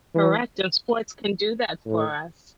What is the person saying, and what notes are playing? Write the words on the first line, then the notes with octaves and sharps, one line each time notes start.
Correct, and sports can do that for us.
E3
A2